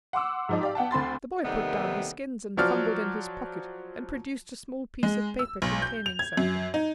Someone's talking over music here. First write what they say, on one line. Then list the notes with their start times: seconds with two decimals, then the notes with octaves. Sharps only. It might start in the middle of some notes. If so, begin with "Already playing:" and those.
The boy put down his skins and fumbled in his pocket, and produced a small piece of paper containing something.
0.13 F#5 C6 D6 E6
0.49 G#2 F3 D#4
0.61 G4 D5 F5
0.75 B3 F#5 G5 A5
0.91 D2 C4 B5 C6 A6
1.45 D#2 C3 D#3 G3 B3 A4
2.57 F3 F#3 D5 F6
5.03 G#3
5.39 E6
5.62 B1
5.82 G6
6.06 F7
6.19 G#6
6.37 F#2
6.74 D#4